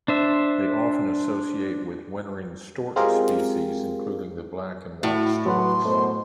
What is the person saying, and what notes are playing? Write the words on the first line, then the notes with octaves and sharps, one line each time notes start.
They often associate with wintering stork species including the Black and White Storks.
D4 C5 E5
G#3 C4 F4 G4 G#4 A#4
A2 E4 F#4
F#3 B4 F#5 C6
F#2 B2 A3 C5